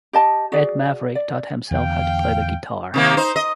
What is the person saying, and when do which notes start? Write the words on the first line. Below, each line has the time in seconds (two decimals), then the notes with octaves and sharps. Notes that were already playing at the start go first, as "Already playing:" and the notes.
Ed Maverick taught himself how to play the guitar.
0.13 G4 D#5 A5
0.52 F#4 G#4 D5
1.15 D5
1.71 E2 D3 F5 G5
2.94 C3 D#3 A#3
3.17 D#4 C5
3.36 D#5